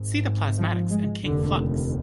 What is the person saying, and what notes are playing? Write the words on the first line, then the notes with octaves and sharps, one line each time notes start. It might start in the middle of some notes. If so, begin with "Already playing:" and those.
See the Plasmatics and King Flux.
Already playing: G#1 G#2
F3
G#3
F1 D#2 D3